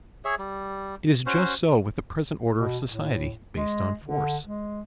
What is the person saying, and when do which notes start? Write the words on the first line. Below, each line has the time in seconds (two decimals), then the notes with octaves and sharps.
It is just so with the present order of society, based on force.
0.25 G#4 C#5 E5
0.39 G3
1.26 C#4 F#4 C5
2.59 B2
2.87 A2
3.55 G#3
4.04 D3
4.47 G#3